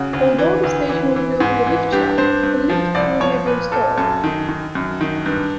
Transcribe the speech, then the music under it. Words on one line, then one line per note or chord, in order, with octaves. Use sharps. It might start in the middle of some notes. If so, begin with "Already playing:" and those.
Although the station was built with a lift shaft a lift was never installed.
Already playing: C#3 F#4
D2
E3
D2
E3
E3
G#2
E3
G2 G4
G2 C5
G2
F3
C2 D5
F3 C#5
A#2 B4
A#2 A4
F#2 A4
D#3
D#3
F#2
D#3
G2